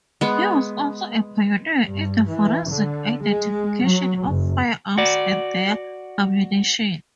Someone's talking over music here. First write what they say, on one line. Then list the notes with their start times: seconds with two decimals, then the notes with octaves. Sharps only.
He was also a pioneer in the forensic identification of firearms and their ammunition.
0.21 G#3 B3
1.85 G2
2.31 E3
2.71 D3
3.24 G#3
3.82 F#3
4.28 F#1
4.98 F#4 D5